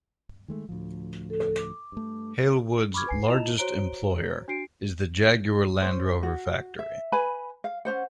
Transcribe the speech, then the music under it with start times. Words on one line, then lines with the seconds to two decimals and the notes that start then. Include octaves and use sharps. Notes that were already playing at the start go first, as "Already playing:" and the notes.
Halewood's largest employer is the Jaguar Land Rover factory.
0.48 D#3 G#3 A3
0.69 D2 A2 F3
1.30 A4
1.58 D6
1.92 G2 A3
2.94 B5 C#6 D6 F6 G#6
3.07 B4 G#5 C7
3.28 E4 F4 D#5 A5 E7 F7
3.57 F#4 C5 C#5 A#5 D7 G7
4.48 D4 F#4 C7 D7
5.82 C#4 C5
6.23 F#4
6.79 E5
7.12 B4 G#5 B5
7.64 F5
7.85 C#4 D4 C5 F#5